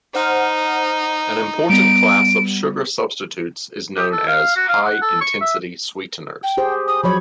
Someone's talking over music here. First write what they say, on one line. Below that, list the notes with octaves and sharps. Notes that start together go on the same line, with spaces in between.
An important class of sugar substitutes is known as high-intensity sweeteners.
D#4 C5 F#5 F6
G3 B3 D7
G4
A4
F5
F#4
F5
F#5
A4
C#6
E5
G5
G4 G#4 C5
D#6
F3 F#3 C#5 B5